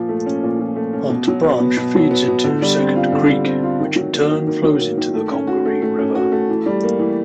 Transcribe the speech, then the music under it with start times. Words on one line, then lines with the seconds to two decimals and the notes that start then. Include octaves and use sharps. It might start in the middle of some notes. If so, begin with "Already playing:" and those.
Hunt Branch feeds into Second Creek, which in turn flows into the Congaree River.
Already playing: A#2 F3
0.09 A3
0.26 C#4
0.43 A#2
0.59 F3
0.76 A3
0.93 C#4
1.10 B2
1.28 F#3
1.44 B3
1.60 B2
1.77 B2
1.95 F#3
2.11 B3
2.28 B2
2.44 D3
2.62 G3
2.78 C4
2.96 F4
3.12 D3
3.30 G3
3.46 C4
3.63 F4
3.80 D#3
3.96 F#3
4.13 A#3
4.30 D#3
4.47 D#3
4.64 F#3
4.81 A#3
4.97 D#3
5.14 A3
5.31 C#4
5.47 F#4
5.65 A3
5.82 A3
5.99 C#4
6.15 F#4
6.32 A3
6.49 E3
6.66 G3
6.83 A#3
6.99 E3